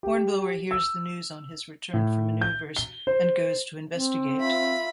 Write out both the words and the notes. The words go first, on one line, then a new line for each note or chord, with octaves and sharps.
Hornblower hears the news on his return from manoeuvres and goes to investigate.
G4
E6
A2
G6
G7
C5
C4
F4 E5 B5